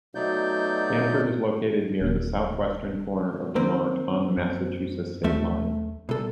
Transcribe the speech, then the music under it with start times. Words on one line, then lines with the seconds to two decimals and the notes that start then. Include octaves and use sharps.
Stamford is located near the southwestern corner of Vermont, on the Massachusetts state line.
0.15 B2 F#3 A3 D#4 D5 G6
2.01 D#1 A#3
3.56 D#3 A#3 C4 C5
4.37 F#2
5.24 D#2 A3 E5
6.09 C2 B2 A4